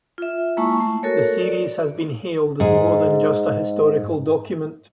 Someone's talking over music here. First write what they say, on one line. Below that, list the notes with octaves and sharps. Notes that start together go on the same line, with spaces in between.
The series has been hailed as more than just a historical document.
F4 E5
G#3 A#3 E4 A5 C#6
A3
F#4 A4 A#4 C#5
D5
G#2 G#4